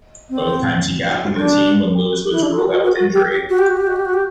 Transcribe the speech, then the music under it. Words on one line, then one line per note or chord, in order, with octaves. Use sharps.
Both times he captained the team was when Lewis was ruled out with injury.
C4
D4
E4
D4
F#4
F#4
F#4
F#4
G4
G4
F#4
G4
F#4
G4
F#4
G4
F#4
G4